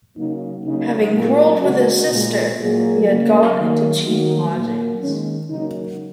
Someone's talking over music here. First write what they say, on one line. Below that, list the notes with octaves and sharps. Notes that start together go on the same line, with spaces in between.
Having quarrelled with his sister, he had gone into cheap lodgings.
C#3 F#3 A#3 D#4
C#3 F#3 A#3 D#4
A#2 F#3 A#3
C#3 G#3 F#4
A#2 G#3
A#2 F#3 A#3 G#4
C#3 F#3 A#3
D#3 F#3 A#3
D#3 F#3 A#3 F#4
A#2 F#3 A#3
D#3 G#3 C#4
C#3 F#3 A#3 D#4